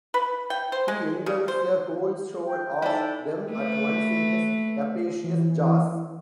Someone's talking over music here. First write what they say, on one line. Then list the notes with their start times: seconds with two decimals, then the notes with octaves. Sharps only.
He engulfs a whole shoal of them at once in his capacious jaws.
0.14 B4
0.50 G5
0.72 C5
0.88 G#3
1.26 C#3
1.48 C5
2.46 G5
2.82 D#4 E4 A4 D5
3.51 A3 B4
5.24 E3